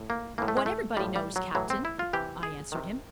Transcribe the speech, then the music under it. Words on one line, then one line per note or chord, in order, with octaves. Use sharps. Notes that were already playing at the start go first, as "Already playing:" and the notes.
"What everybody knows, captain," I answered him.
Already playing: A2
A#3
A2 E3 A#3
A3
G#3
A3
A2 F3 G3
G3
F#3
A2 E3 F#3
C4
E4
F4
C3 E3 G4
G#4
C3 D#3